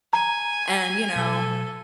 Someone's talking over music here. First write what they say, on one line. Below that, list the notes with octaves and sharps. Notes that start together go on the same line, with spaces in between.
And, you know,
G#5 A#5
B2 F#3 A4 B6